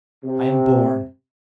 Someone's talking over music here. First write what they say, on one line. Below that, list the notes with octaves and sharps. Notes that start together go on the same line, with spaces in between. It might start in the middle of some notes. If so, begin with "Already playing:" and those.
I am born.
C3